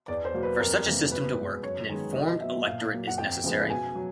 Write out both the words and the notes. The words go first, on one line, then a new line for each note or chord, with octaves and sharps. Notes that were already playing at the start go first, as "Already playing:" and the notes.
For such a system to work an informed electorate is necessary.
E2 D5
C5
B2 F#3 A#3
B4
F2 A#4
C3 E3 G3 A#3
B2 B4
G#3 B3
F#2 C#5
D#3 G#3 B3
B2 D#5
F#3 B3 E5
A#2 F5
F#3 A#3
F#5
F2 G5
C#3 F3 G#3 B3
B2 G#5
F#3